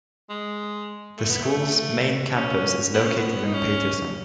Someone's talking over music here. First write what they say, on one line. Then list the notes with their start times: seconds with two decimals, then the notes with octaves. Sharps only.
The school's main campus is located in Paterson.
0.30 G#3
1.18 A3
1.30 B3
1.43 A3
2.36 C#4
2.94 B3
3.06 C#4
3.18 B3
3.44 D#4
3.54 C#4